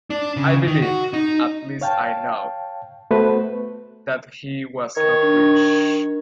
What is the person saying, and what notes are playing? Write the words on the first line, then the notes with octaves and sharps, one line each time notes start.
I believe — at least I know — that he was not rich.
D4
C#3
D#3
F#4
D#4
C#5 F5 G5 A5
A3 B3 F#4 B4 C5
D#3 C#5
D4